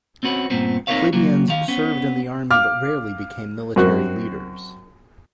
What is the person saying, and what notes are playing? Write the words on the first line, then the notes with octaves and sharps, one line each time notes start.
Plebeians served in the army, but rarely became military leaders.
C4 C#4 F#4 B4
G2 A#2 B3 C4
C4 D#4 A#4 B4 C#5 F5
C#3 F#3 A#3 F#4
D#3 F5
B3 C#4
F5 D6 F6
F#2 C4 F#4 A#4 F#6